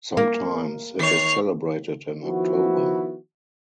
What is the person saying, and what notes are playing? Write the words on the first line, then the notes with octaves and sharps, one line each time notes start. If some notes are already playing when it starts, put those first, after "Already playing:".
Sometimes it is celebrated in October.
A#3
D#3 C#5 C7 F7
D#3 F3 B3 E4 F#4